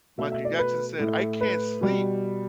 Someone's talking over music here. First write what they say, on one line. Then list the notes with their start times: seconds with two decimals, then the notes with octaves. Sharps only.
Michael Jackson said, "I can't sleep
0.18 B2 A3 E5
0.32 E5
0.45 D5
0.59 B4
0.99 A2 A3
1.41 B4
1.81 B2 G3